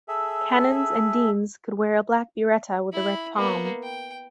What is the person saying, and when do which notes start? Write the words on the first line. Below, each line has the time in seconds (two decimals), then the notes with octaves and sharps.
Canons and deans could wear a black biretta with a red pom.
0.08 G#4 A4 E5
2.93 E4 B5
3.35 A#3 B3
3.83 G5